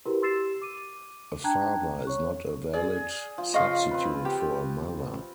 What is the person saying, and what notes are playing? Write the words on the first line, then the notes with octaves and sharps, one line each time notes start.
A father is not a valid substitute for a mother.
E4 F#4 G4 A#4 B4
G4 C6 E6 A6 C7 E7
D6 D#7
D4 G5 A5 A#5 F#6 G#6
C#5 C#6 F#6
G#4 D5
F3
C#3 F4 D#5 F5 C#6
C4 B4
G4